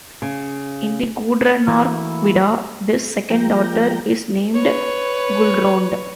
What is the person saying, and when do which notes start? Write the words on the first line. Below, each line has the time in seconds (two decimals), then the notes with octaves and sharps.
In the Gudrunarkvida, this second daughter is named Gullrond.
0.22 C#3
1.68 E3 A3 A#3 E4 F#4
3.30 F3 G#3 A#3 G5 A#5
4.55 B4 C#5